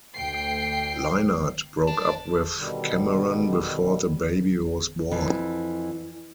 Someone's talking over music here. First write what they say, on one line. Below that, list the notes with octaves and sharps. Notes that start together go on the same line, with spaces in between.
Leinart broke up with Cameron before the baby was born.
D2 G5 C7
D4
B2 D3 D#3 G3
F2 E3